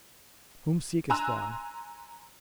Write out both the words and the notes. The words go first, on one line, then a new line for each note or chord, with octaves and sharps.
"Whom seekest thou?"
G#5 A#5 C6 E6 F#6